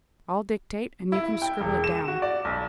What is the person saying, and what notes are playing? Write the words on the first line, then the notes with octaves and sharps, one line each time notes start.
I’ll dictate, and you can scribble it down.
E4
G5
E1
E7
F#4
D5
B1